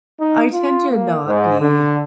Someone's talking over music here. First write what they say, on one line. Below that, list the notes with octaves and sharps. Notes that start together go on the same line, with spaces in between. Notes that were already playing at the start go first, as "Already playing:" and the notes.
I tend to not be
D#4
F4
A#3
G#2
D3